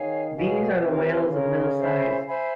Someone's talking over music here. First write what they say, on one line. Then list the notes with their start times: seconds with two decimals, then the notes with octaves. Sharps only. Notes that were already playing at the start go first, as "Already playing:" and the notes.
These are the whales of middle size.
Already playing: D#3 G#4 C#5 F5 G#5
0.36 B2 G#4 C#5 F5 G#5
0.84 C3 F4 A#4 C#5
1.31 C#3 F4 A#4 C#5
1.79 C5 E5 G#5 B5
2.26 C5 E5 G#5 B5